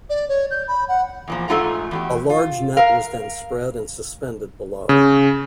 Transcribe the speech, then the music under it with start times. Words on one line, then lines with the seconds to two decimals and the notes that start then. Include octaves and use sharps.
A large net was then spread and suspended below.
0.10 D5
0.29 C#5
0.51 G6
0.68 B5
0.88 F#5
1.28 E2 A#2 F3
1.48 G#2 A3 C4 F4 F#5 A#5
1.91 E2 F#4 G4
2.30 F4
2.77 A#4 F5
4.89 C#3